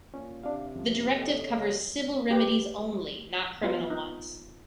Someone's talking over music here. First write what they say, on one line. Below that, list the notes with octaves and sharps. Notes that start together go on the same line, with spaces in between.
The directive covers civil remedies only-not criminal ones.
A#2 C#4
C3 D4 D5 F5
F2 F3 C#4
A4 C#5 D#5
C#3
G4 B4
B3 F4
D#4